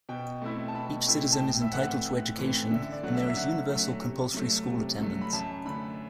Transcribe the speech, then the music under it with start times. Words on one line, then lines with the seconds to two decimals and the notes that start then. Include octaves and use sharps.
Each citizen is entitled to education and there is universal compulsory school attendance.
0.09 B2 G5
0.42 A3 C4 E4
0.68 A5
0.74 B2 B5
1.07 A3 C4 E4
1.32 A5
1.39 A2 G5
1.62 E5
1.73 E3 A3 C4 F#5
2.06 A2
2.38 E3 A3 C4
2.71 D3 E5
2.92 D5
3.03 F#3 A3 F#5
3.15 E5
3.27 E5
3.36 D3 F#5
3.69 F#3 A3
4.02 C3
4.34 F#3 A3
4.67 C3
5.00 F#3 A3
5.21 B5
5.33 F#2 A5
5.65 D3 A3 B5